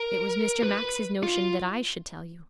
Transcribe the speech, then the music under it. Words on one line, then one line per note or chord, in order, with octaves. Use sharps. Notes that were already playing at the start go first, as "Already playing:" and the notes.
'It was Mr. Max's notion that I should tell you.'
Already playing: A#4
B4
F4